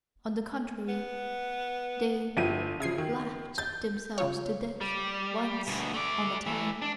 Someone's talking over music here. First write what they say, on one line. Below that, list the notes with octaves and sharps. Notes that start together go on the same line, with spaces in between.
On the contrary, they--LAUGHED themselves to death once on a time!
B3
G1 F3 B3 E4 G4 D#7
C#3 F3 E5 G#6 C7
D#3
G6 A6
C#3 F4 C#5
G3
D2 B2
A3 D5
E3 A3
D4